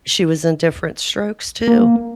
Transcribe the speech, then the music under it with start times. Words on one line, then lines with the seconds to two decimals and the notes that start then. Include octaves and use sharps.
She was in Diff'rent Strokes, too.
1.68 A#3